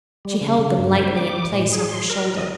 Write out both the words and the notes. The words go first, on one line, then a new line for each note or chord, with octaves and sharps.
She held them lightly in place on her shoulder.
G3
C#3
C#3
G2
C5
D6
A2
G#4
C6
A#4
D#5